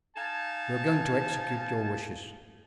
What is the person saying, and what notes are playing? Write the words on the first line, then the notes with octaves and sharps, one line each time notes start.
"We are going to execute your wishes."
D#4 F5 G#5 A5